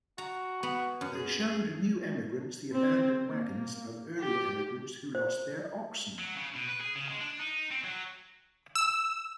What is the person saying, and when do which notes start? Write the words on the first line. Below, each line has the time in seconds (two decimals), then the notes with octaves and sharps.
They showed new emigrants the abandoned wagons of earlier emigrants who lost their oxen.
0.18 F#4 A#5
0.63 B3
1.01 F#2 C#4
1.15 G#4
1.47 G#4
2.73 C4
3.27 A#3
4.19 G4
5.15 C5
6.19 F#3
6.36 C#3
6.56 B2
6.69 B4
6.81 G#4
6.96 C#3
7.09 G#3
7.21 D4
7.39 D#4
7.71 C4
7.84 F#3
8.75 E6